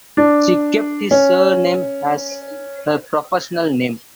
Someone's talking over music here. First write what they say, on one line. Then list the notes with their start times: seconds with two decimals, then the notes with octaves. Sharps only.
She kept his surname as her professional name.
0.17 D4
1.11 C#4